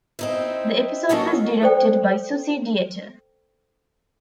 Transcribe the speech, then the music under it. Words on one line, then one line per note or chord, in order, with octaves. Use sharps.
The episode was directed by Susie Dietter.
C4 D#4 E4
F#3 A#3 C#4 F#4 A4 D#5
A4 C5 D5 G5